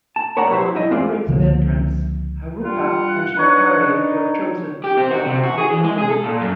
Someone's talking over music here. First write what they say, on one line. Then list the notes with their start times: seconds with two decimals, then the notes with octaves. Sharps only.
Among hundreds of entrants, Haruka and Yukari were chosen to form Halcali.
0.16 A5
0.37 A#4 C#5 D5 F#5 A5 A#5
0.51 E4 G4 B4 C5 E5
0.75 G3 E4 D#5
0.91 E2 C4 F4 G#4 D5
1.29 C#2 D3 F3 A#3
2.63 G2 G3 F4 F#5
3.37 D4 D#4 B4 C#5
4.84 G4
4.97 C4
5.11 F#4
5.26 C3
5.43 F#4
5.58 G#4
5.71 E3
5.84 G#3
5.98 G#4
6.10 A4
6.24 A#2
6.41 F#2